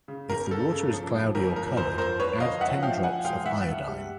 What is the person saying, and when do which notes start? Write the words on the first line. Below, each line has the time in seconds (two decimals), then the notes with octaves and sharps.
If the water is cloudy or colored, add ten drops of iodine.
0.08 C#3
0.30 G1 A#4
0.51 C#3 A4
0.72 C#3
0.93 F3
1.14 F3
1.35 G1 A#4
1.56 F3 A#4
1.77 F2 A#4 C5
1.98 F3 A#4 C5
2.19 F3 B4 C#5
2.40 D3 D#5 F5
2.61 F3 E5 F#5
2.82 F3 F5 G5
3.03 F3 F#5 G#5
3.25 G#3 F5 G5
3.46 E3 E5 F#5
3.67 G2
3.88 G3